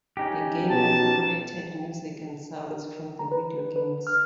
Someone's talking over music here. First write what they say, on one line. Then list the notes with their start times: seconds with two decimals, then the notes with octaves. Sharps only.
The game incorporated music and sounds from the video games.
0.17 C#4 D#4 G4
0.71 B2 A5
2.71 A#4
3.19 A#5
3.32 B4
3.76 B4
4.07 F6